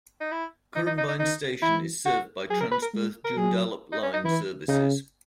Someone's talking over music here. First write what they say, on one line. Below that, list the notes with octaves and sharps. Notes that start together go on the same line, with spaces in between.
Currambine station is served by Transperth Joondalup line services.
D#4
E4
E3 D#4
D#4
D#4
D#4
D#3 D#4
E3 E4
F#4
F#3 G#4
A#4
B4
A#4
G#3
A#4
F#3 G#4
D#4
C#4
D#4
E3 E4
C#3 D#4